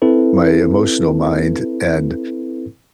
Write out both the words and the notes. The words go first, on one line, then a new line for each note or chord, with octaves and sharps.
my emotional mind, and
C4 E4 A4 B4